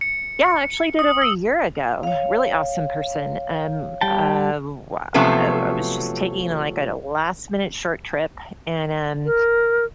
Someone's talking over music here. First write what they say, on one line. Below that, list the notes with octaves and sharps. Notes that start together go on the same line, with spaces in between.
Yeah, I actually did over a year ago. Really awesome person, um, ah, wha ah I w I was just taking, like, a last-minute short trip, and, um,
C#7
D#6
E6
C#5 F5
G3 G5 A5
C3 F3 F#3 A3 B3 C#4
A#4